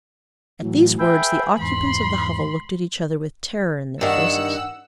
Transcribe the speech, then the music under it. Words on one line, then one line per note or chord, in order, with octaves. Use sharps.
At these words the occupants of the hovel looked at each other with terror in their faces.
A2 E3 F#3
G#4 B4 E5 G5
E2 G#2 B5 C6
G2 D#3 F#5 E6